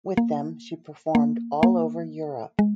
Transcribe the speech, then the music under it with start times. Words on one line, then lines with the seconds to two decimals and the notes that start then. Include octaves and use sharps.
With them she performed all over Europe.
0.17 A#3
1.15 A#3
1.63 A#3
2.59 G#3